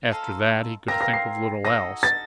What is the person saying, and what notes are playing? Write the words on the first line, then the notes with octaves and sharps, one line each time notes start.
After that he could think of little else.
D#4 A4 C5 F5
C4 F4 A#4 F5 A#6
A#6
C7
D#4 F#4 A4 D#5 A#6
A6